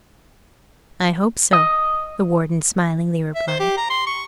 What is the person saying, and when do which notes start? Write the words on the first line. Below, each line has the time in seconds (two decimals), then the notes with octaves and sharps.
"I hope so!" the Warden smilingly replied.
1.52 D#5
3.35 E5
3.48 C5
3.60 G4
3.78 A#5
3.90 C6
4.07 C#6